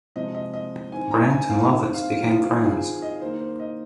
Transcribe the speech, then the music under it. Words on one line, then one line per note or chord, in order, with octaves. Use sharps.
Brandt and Lovitz became friends.
C3 F3 G#3 C4 D#5
D#5
D#5
D#3 C4 G#5
A#5
G#5
F5
D#3 C4
F5
F4
D#3 C4 F4
G#4
D#5
D#3 A#3 C5
C5
D#5